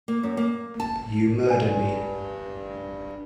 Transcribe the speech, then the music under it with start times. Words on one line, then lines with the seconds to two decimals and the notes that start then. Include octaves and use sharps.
You murdered me.
0.08 A#3
0.23 F#2
0.37 A#3
0.80 A5
1.47 G2 B4 G#5